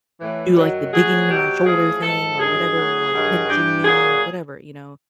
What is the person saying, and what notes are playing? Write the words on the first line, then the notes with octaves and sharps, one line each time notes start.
do, like, the digging into my shoulder thing or whatever, like, pinching me or whatever, you know?
A2 E3
F#2 D#3 F#3
A2 F#3 G#4
B2 F#3 G4
A2 F3 G#4
G#2 F3 A4
G2 D#3 F#3 G#4
F#3
A2
G2 D#3 F#3
G2 E3 G4
A#2 F#3 G#4